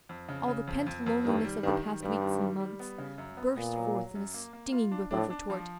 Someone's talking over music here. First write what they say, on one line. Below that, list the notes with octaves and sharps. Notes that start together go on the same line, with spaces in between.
All the pent loneliness of the past weeks and months burst forth in a stinging whip of retort.
F2
C#3
C#3
F2
F2
F2
G2 D#3
G3
G2 D#3
D#3
G2 G3
D#3
G3
G3
B3
C#3
F#2
B3
A#2 B3
F#3
F#3
F#2
A#3
A#3
F4
D4
A2 D4
D4
F3